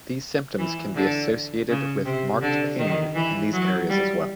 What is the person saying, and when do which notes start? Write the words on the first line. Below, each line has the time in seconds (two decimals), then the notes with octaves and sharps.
These symptoms can be associated with marked pain in these areas as well.
0.58 E3
0.95 D3
1.69 C#3
2.05 C3
2.41 D3
2.78 D#3
3.15 E3
3.52 F#3
3.89 G3